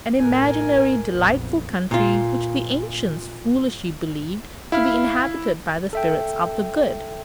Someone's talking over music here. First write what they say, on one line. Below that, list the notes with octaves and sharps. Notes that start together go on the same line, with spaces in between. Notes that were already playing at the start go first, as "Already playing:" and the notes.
An imaginary delightful country which the ancients foolishly believed to be inhabited by the spirits of the good.
A1 E2 A2 A#4 G#5
A#1 F2 B3
A#2 F4
E4 F5 B5 F6
A4 E5 G5